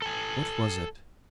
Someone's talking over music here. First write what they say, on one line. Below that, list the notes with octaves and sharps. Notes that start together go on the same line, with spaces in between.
What was it?...
A4 G#5